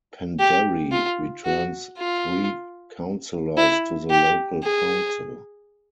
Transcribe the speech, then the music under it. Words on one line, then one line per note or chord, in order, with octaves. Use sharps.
Penderry returns three councillors to the local council.
G4
F4
F#4
F4
E4
G4
G#4